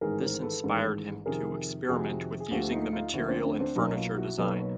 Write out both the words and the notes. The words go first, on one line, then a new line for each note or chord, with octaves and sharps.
This inspired him to experiment with using the material in furniture design.
A1 G#2 D#3 G#3 G#4 A#4
A#4 C5
A4 B4
A1 G#2 D#3 G#3
F2 C3 D#3 G#4 A#4
F2 C3 D#3 F#4 G#4
G#4
D2 D3 F3 A3 F4 G4
D#4 F4
D#4 F4
D2 D3 F3 A3 D4 E4
C4 D4
C4 D4
C4 D4
B1 B2 F#3 A#3 C#4 D#4
D#4 F4
E4 F#4
B1 B2 F#3 A#3 A4 B4
B4 C#5